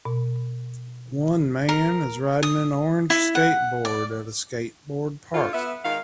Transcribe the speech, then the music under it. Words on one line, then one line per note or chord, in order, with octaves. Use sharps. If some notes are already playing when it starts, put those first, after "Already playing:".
One man is riding an orange skateboard at a skateboard park.
B2
A#4
D#6
E4
F#5
D5
D3 F4
B3 E5
D#3 G#3 F5